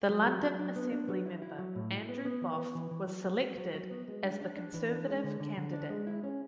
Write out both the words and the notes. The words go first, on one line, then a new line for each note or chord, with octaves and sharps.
The London Assembly member Andrew Boff was selected as the Conservative candidate.
F#3
F#3
F#3
D4
B3
D4
F#3
E4
E4
F#3
A2
E4
B3
B3
E3
B3
E3
E3
F#3
F#3
F#3
F#3
F#3
B3
G#3
D4
D4
D4
E3
D4
G#3
D3
D3
D3
D4
G#3
E4
C#4